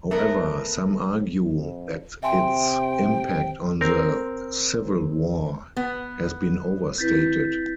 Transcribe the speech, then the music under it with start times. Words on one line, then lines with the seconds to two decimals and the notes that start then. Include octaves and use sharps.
However, some argue that its impact on the Civil war has been overstated.
0.11 A3 B3 A#4
1.52 F2
2.23 C3 E5 G5 G#5 C6
3.81 C4 A#4
5.76 B3 B4
6.98 C4 E4 B4 G6 A6 B6